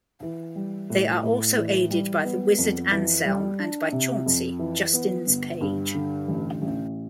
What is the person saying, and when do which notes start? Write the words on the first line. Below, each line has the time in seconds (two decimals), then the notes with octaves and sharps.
They are also aided by the wizard Anselm and by Chauncey, Justin's page.
0.23 E3
0.55 G3
0.90 A2
1.23 A2
1.57 E3
1.91 G3
2.25 B3
2.58 F2
2.91 E3
3.25 G3
3.59 D4
3.92 C3
4.26 F2
4.59 E3
4.93 B3
5.27 G1
5.61 G2
5.94 D3
6.28 A1
6.62 A1